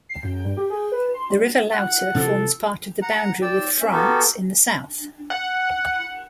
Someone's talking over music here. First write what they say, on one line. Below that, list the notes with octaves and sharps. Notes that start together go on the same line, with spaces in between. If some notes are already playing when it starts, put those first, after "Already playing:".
The river Lauter forms part of the boundary with France in the south.
C7
F#2
G2
G4
G#4
B4
C6
G3
F#5
C3 E3 F3 A4
F#5 A#5
D5 G5 E6
C#4 E5
B3 F#4 G4 A4 A#4
F#5